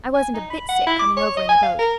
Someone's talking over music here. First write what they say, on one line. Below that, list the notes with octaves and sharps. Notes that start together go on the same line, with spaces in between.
I wasn't a bit sick coming over in the boat.
G#5
D#4
B5
F#5
E4
D6
C#5
D#5
G#5
F5
A#4